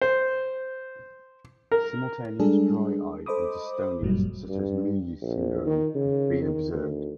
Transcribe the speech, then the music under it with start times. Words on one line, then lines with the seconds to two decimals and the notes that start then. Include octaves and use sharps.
Simultaneous dry eye and dystonias such as Meige's syndrome have been observed.
0.02 C5
1.72 A#4
2.39 G3 G#3 D4 G#4 A4
3.26 A4 C5 D#5 B5 D6 D#6
4.01 G1 F#2 A#2 F#3 G3
4.48 G2
5.22 A#1
5.66 D#3
5.95 C#3
6.42 D#3
6.74 D2